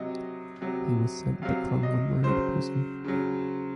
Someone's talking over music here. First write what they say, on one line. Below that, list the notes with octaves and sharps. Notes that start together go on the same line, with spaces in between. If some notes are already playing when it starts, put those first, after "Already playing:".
He was sent to Crumlin Road Prison.
Already playing: C3 F#3 D#5
C3 F#3
C3 F#3 F5
D#5
C#3 F#3 C5
C#3 F#3